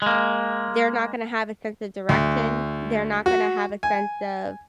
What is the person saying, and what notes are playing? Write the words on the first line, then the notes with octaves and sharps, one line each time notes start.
They're not gonna have a sense of direction, they're not gonna have a sense of
G#3 A#3
D2
F#4
G#5